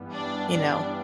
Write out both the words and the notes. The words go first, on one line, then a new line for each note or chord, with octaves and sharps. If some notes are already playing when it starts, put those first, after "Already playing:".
you know,
Already playing: G2 E3 G3 B3
D4 D5
D4 D5